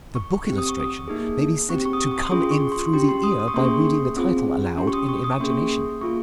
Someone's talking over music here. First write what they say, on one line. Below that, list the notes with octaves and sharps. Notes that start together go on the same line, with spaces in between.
The book illustration may be said to come in through the ear, by reading the title aloud in imagination.
C#6
C4 G4
D#6
C#6
D#6
A#3 D#4 G#4
C4 G4 C#6
C#6
D#6
C#6
C#6
D#6
C6
C#4 F4 G#4 C#6
C#6
C6
C#4 G4 C6
C6
D#6
D#6
C#6
A#3 C#4 G#4 C6
C#6
C4 F4 G#4
C#4 G4 C6
C#6
D#6
C#6
D#6
C#6
A#3 C#4 G#4 C6
C#6
A#3 F4 G#4 C#6